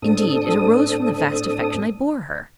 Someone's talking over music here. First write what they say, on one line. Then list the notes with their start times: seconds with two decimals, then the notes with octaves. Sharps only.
Indeed it arose from the vast affection I bore her.
0.02 A2 C4 D4 A4 D#6